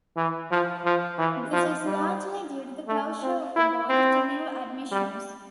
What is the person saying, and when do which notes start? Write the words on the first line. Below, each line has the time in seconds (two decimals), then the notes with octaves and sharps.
This is largely due to the closure of the board to new admissions.
0.17 E3
0.51 F3
0.85 F3
1.19 E3
1.53 F3
1.86 G3
2.88 A3
3.22 C4
3.56 E4
3.90 C4
4.92 G3